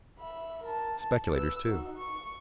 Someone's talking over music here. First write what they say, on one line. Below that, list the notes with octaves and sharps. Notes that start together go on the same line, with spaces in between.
Speculators, too.
E5 B5
A#4 A5
A5
B4 E6
D#4 F#4
C#6